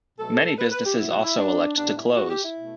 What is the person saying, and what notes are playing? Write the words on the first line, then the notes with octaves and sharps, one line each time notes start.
Many businesses also elect to close.
B2 F#3 A3 A4
B4
B4
G4
B2 F#3 B3 E4
F#4
E4
D4
A2 G3 B3 D4
E4
F#4
G4
E4
B2 A3